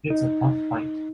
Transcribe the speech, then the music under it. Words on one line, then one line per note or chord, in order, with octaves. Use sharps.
It's a tough fight.
D#4